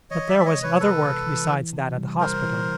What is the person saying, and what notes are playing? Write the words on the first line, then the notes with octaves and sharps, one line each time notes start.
But there was other work besides that at the hospital.
E3 C#5 D#5
D5 E5
G#3
D5
C#5 D#5
C3
B4 C#5
E3 A4 B4
C3
E3
E3
C3
G3
G3 A#4 C5
E3